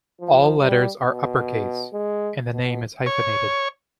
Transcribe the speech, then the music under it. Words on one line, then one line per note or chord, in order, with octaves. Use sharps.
All letters are upper-case, and the name is hyphenated.
F3
G3
B2
G#3
B2
C#5